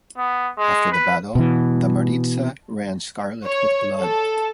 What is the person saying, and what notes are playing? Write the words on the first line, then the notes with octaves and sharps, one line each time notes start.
After the battle, the Maritsa ran scarlet with blood.
B3
G#3
B4
B2 E3
C#5
A4